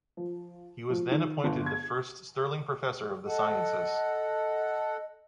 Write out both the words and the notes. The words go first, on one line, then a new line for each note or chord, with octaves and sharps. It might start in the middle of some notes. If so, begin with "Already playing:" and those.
He was then appointed the first Sterling Professor of the Sciences.
F3
F3
D#3
G1
G#6
A4 D#5 F#5